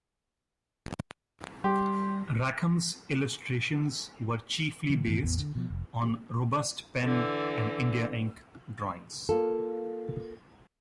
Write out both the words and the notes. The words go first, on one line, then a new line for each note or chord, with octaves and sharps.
Rackham's illustrations were chiefly based on robust pen and India ink drawings.
G3 G4 C6
D3 E3 F#3
G2 D#3 E3 B3
A1 E2 E3 B3
D3
B2 F3
F1
D3 E3
A#3 F4 A4